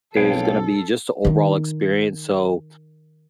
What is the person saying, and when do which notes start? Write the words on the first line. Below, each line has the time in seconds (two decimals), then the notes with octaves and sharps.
is gonna be just the overall experience. So
0.16 B1 C4 G#4 A4 B4 C#5 F5 G5
1.25 D#3 D#4